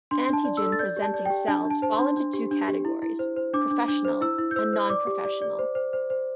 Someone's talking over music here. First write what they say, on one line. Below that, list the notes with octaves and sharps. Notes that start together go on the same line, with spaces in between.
Antigen-presenting cells fall into two categories: professional and non-professional.
D4 C6
D4 A5
D5
A4 E6
A6
D5 G6
G4
A5
D5
G4 G5
D4 A5
D4
A5
C5 A5
C6
D4
D4
G4
D4
G4
E4
E4
C5
C5
D4 D6
D4
D4
C5
E4 E6
E4
G6
C5 E6
C5
D5 D6
G4
D5
D5
C5
C5
C5
C5